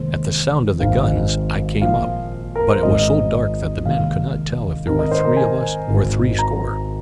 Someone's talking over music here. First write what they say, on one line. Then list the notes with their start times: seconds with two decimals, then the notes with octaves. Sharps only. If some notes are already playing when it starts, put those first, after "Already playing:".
At the sound of the guns I came up, but it was so dark that the men could not tell if there were three of us or three score.
Already playing: F1 D#2 D#3 G#3 C5
0.80 G#1 G#2 G#3 D#4 F5
1.81 A#1 A#2 F3 F5
2.56 A#4
2.70 C5
2.83 G#1 G#2 G#3 C4 D#4 D#5
3.85 F1 D#2 D#3 G#3 D#4 F5
4.86 G#2 D#3 C4 D#4 A#4
4.99 D#5
5.11 C5
5.25 A#4
5.37 G#5
5.87 G#1 G#2 D#3
6.39 A#5